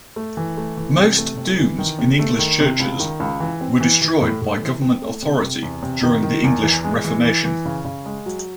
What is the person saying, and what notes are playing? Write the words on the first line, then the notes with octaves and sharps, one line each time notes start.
Most dooms in English churches were destroyed by government authority during the English Reformation.
A3
E3
A3
E3
C3
A3
C3
E3
D#3
C3
A3
D#3
C3
C#2
D#3
C#2
E3
C4
E3
E3
A2
A2
E3
C4
A3
C3
C3
E2
C3
D#3
D#3
E2
E3
G#3
E3
E3
E3
C#3
C#3
G#3
F#3